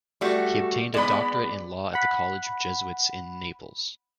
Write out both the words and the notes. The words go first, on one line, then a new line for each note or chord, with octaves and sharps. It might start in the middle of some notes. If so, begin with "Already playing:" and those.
He obtained a doctorate in law at the College of Jesuits in Naples.
G3 A3 F#4
G#3 B3 D5 B5
F#5 B5